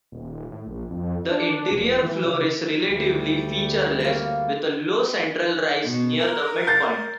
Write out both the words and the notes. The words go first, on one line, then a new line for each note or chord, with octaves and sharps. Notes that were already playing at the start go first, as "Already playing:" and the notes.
The interior floor is relatively featureless, with a low central rise near the midpoint.
D#1
A2
A#1
F2
D4
F1
E3
C#3
D2 G3
A#3 C#6
B2
A#4
G6 A6 C7